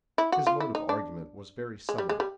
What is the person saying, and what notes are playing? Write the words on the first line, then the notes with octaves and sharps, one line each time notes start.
His mode of argument was very summary.
E4
F#4
F4
E4
D#4
D4
G#3
G3
G#3
G3